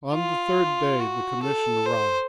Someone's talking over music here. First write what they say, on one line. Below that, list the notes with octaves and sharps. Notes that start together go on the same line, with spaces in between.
On the third day the commission arrived.
F4
F#4
A4
C5